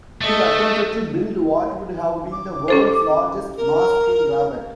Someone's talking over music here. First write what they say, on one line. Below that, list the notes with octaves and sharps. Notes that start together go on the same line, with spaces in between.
He attempted to build what would have been the world's largest mosque in Rabat.
A3 A4 D#5
D6
C#4 A4 C5
A#4